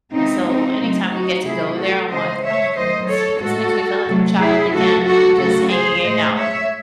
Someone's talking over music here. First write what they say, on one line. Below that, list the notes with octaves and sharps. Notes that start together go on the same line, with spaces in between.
So anytime we get to go there, I'm like, "Oh, this this makes me feel like I'm a child again," and just hanging out.
C#3 E3 G#3 C4 D#4
C4 D#4
C#3 F#3 A3
D#4 F#4
C3 F#3 A3 E4 G#4
F#4 A4
C#3 E3 G#3 C5 D#5
C#5 E5
D#3 F#3 A3 C5 D#5
A4 C#5
A2 G#3 F#4 A4
C3 F#3 A3
E4 G#4
C#3 F#3 A3 F#4 A4
F#4 A4
C#3 F#3 A3 F#4 A4
G#4 C5
A2 G#3 C5 D#5
C#5 E5